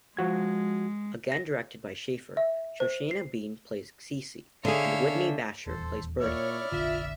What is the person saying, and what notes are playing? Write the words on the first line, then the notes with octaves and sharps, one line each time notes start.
Again directed by Schaeffer, Shoshana Bean plays Cee Cee and Whitney Bashor plays Bertie.
F3 G#3 F#4 G#6
A#6
E5
C5
C7
D3 G#4 C#5 E5 F5
D#1 E2 A4 C5
A#2 E4 C#5 D5 F6
F1 A#1 D3 F4 E5